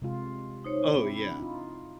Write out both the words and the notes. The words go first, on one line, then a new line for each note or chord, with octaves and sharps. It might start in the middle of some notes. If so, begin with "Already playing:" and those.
Oh, yeah.
C3 G#3 F4
D#4 C5 C#5
C4 D4 E4 B5
D#4 F4